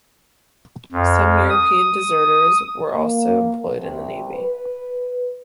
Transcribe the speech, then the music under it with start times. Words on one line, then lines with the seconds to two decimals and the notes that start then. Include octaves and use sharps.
Some European deserters were also employed in the navy.
0.92 F2
1.50 D#6
2.92 A#3
3.75 C2
4.34 B4